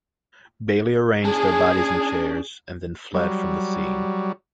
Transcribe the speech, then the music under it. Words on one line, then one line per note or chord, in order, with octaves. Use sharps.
Bailey arranged their bodies in chairs and then fled from the scene.
C#4 D4 G#4 A5
F#3 G3